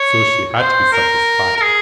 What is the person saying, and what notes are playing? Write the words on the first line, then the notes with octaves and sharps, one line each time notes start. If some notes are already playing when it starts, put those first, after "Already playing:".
So she had to be satisfied.
Already playing: C#5
C5
A#4
A#4
G#4